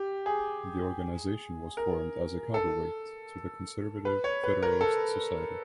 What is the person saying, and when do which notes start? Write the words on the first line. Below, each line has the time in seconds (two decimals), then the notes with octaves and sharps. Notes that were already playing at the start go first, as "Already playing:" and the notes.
The organization was formed as a counterweight to the conservative Federalist Society.
Already playing: G4
0.26 G#4
1.77 A#4
2.54 A4
4.05 B4
4.24 C#5
4.44 B4
4.63 A#4
4.81 A4